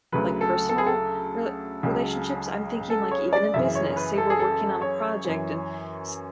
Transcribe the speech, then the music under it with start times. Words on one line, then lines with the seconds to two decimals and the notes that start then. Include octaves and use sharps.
like, personal re relationships, I'm thinking, like, even in business, saw we're working on a project and s
0.12 D2 C#3 F#3 B4
0.41 A4
0.69 A4
0.78 G#4
0.87 A4
1.83 C#2 C#3 F#3
2.90 A4
3.11 C#5
3.33 D5
3.54 F#2 C#3 E3 E5
3.75 C#5
3.97 B4
4.18 A4
4.30 G#4
4.39 A4
4.82 C#5
5.25 F#2 E3